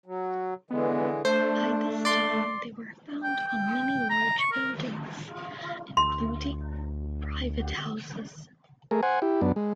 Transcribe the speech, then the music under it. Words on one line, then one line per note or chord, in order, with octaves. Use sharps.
By this time they were found on many large buildings, including private houses.
F#3
D3 E3 G#3 B3
A3 D4 C5
D5 C6
G5
G5
A#5
C#6
A#4
D2 C6
A3 G#4 A#4
C5 F#5 G#5
E4 G4
F#2 B3 D4
G#3